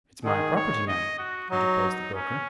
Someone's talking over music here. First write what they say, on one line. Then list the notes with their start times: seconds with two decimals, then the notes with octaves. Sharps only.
"It's my property, now," interposed the broker.
0.25 D#3 G#4
0.56 C#5
0.88 D#5
1.19 F#4
1.51 F#3 D#4
2.15 C#4